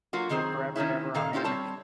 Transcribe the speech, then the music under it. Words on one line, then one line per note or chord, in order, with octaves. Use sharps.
forever and ever, amen-
F#3 A#3 F4 F#4
F#2 D#3 C4 G#4 C5
D#3 A#3 C#4 E4
A#2 D#3 A#3 A4 F5
C#4 E4 F4 G4 C5
G3 C4 C#5 A5